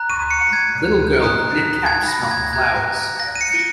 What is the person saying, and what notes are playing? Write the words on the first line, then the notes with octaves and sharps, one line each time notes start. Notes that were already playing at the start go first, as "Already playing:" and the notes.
Little girl with knit cap, smelling flowers.
Already playing: A#5 F#6
D#7
C#7
G#6
A#5 D#6 F#6
G#6
A#6
G#6
A#5 F#6 G#6
A#6
D#7
C#7